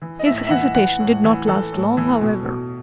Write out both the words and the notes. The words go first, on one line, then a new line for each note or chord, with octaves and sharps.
His hesitation did not last long, however.
E3
D#5
A2 E5
E5
E3 F#5
E3 F#5
A2
E3
E3 A4
A2
E3
B2
B2